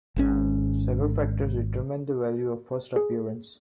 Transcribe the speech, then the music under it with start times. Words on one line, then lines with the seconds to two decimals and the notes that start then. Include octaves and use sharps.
Several factors determine the value of a first appearance.
0.16 G#1 G#2 C#4
2.96 G#4